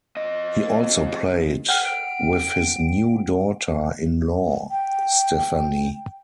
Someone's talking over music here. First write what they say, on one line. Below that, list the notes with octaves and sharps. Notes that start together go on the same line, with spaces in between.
He also played with his new daughter in law Stephanie.
F2 D#5
F#5 G5 F6
D7
G5